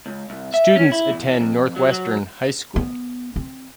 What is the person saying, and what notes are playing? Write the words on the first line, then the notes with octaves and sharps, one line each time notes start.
Students attend Northwestern High School.
C#2
C2
E5
C#4
E4
E2
F2
F#3
F#3
B3
C4